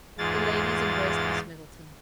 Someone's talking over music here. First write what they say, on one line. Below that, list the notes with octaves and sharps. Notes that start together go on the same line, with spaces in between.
The ladies embraced Miss Middleton.
E2 G#2 G#3 F4 A6